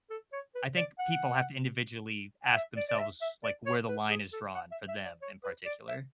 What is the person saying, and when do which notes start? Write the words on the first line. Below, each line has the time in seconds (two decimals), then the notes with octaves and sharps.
I think people have to individually ask themselves, like, where the line is drawn for them in particular.
0.10 A4
0.32 C#5
0.55 B4
0.77 D5
0.99 F#5
2.45 F#5
2.55 E5
2.77 D5
2.89 D5
2.99 E5
3.22 E5
3.44 D5
3.66 C#5
3.88 B4
4.10 G#4
4.33 A4
4.55 F#5
4.72 E5
4.88 E5
5.05 D5
5.22 C#5
5.44 B4
5.66 D5
5.88 E5